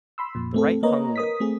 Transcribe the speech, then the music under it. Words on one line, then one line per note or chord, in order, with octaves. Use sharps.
The right hung limp.
B5 C6 E6
F2 A#2
A3 C4 A4
A#3 B4 C#5 D#5 A#5
A#4 D#6 B6
A3 C4 G#4